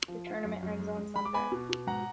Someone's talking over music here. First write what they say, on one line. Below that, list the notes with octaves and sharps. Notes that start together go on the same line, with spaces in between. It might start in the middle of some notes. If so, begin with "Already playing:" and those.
The tournament ends on Sunday.
F3
F4
F#2
F#2
G#3
G#3
G#3 B5
D6
B3 G#5 B5
B2
B2
G#2 F#5 A#5